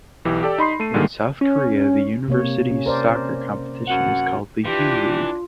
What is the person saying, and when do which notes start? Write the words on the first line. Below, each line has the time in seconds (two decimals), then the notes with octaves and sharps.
In South Korea, the university soccer competition is called the U-League.
0.25 B1 E3 G4
0.43 G4 A4 D5
0.58 D#4 B5 C6 C7
0.80 A3 D#7
0.94 A#2 D3 D#3 G3 G#3 A#3
1.41 C#4
2.28 C3 A#3 C#5
2.70 C#4
2.86 A#4 C5 D5
3.87 F#2 F#5
4.65 E3 D4 F4 G4